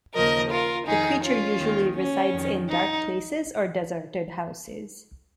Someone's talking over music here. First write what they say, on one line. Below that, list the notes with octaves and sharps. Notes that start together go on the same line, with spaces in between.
The creature usually resides in dark places or deserted houses.
D#2 C#3 F3 A#4 D#5
F4 A#4
F2 D#3 D#4 G#4
C#4 F4
D#2 D#3
C#4
F2 D#3
D#4